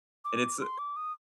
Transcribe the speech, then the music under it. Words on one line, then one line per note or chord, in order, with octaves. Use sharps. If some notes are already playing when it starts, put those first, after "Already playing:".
and it's uh,
D6
C6
D6
D#6